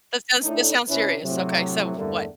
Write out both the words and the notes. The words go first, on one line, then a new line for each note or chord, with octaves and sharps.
That sounds that sounds serious. Okay. So what?
A2 D4 D#4
C3 C#4 D4 E4 B4
A2 C3 F#3
E2 G2 D3 G3 A3 A#3